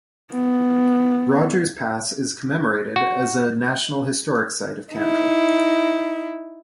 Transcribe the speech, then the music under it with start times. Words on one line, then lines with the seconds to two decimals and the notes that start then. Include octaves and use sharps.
Rogers Pass is commemorated as a National Historic Site of Canada.
0.33 B3
2.96 F#4
4.96 D#4 E4